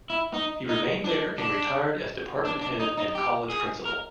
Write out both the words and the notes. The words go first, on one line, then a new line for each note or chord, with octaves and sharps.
He remained there and retired as department head and college principal.
E4
D#4
D#4
D4
D4
D4
D4
D#4
D#4
G4
G#4
A#4